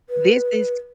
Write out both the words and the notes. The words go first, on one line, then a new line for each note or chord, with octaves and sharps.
This is"
B4